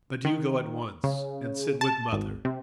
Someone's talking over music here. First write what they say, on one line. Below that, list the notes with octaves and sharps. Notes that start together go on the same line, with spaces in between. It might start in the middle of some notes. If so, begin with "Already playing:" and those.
But you go at once and sit with mother.
D#3
C#3
A5
G#1
C3